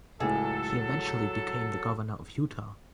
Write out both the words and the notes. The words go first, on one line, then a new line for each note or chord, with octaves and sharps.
He eventually became the Governor of Utah.
C#2 A2 F#3 G#4 A4